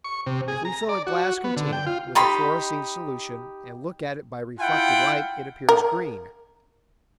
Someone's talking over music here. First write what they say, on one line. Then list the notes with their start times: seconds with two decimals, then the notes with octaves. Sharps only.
If we fill a glass container with a fluorescein solution and look at it by reflected light it appears green.
0.04 C#6
0.26 C3
0.48 G#4
0.65 A#5
0.89 D5
1.07 F#4
1.44 B3
1.57 D3
1.73 G5
1.86 F4
2.15 D#4 G4 B5 C6
4.60 E4 F4 F#5 G5
5.69 A#4